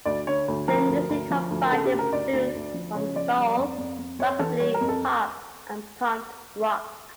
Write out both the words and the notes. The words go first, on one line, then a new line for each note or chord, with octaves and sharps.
Their music combined influences from soul, rockabilly, pop and punk rock.
D2 D5
D3 C#5
D2
F3 A#4
D2
D2
F3
D2
A#4
C#3 A4
G4
D2
A#4
D2 D5
D2
D2
F3
C#3 C#5
F3 D5
G3
F2
F2
F2
F2 C#5
E3 A4
G3 C#5
A#4
F2
A4